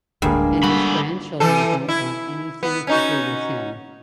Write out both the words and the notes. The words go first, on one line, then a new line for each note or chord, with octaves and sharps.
And his grandchildren don't want anything to do with him.
D1 G1 D2 G2 G#3 A#3 G#4
D3 G3 F#4 B5
E3 A4
E4
B3
C#4 D#4 F#4